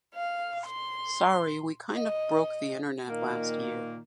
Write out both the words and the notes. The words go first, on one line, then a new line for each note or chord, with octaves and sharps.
Sorry we kind of broke the internet last year.
F5
C6
D#5
A#2 D#3 A#3